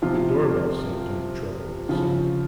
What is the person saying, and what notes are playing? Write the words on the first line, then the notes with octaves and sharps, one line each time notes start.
The door-bell saved him the trouble of deciding.
C3 F3 F4
C#3 F3 F4